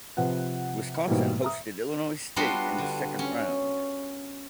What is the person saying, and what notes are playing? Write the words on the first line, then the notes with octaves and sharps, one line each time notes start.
Wisconsin hosted Illinois State in the second round.
C3 F3 B4 F#5
G#2 B2 E3 G3 A#3 E4
E5 A#5 D#6
G3 B3 D4 F4 F#4 C6
D3
C#4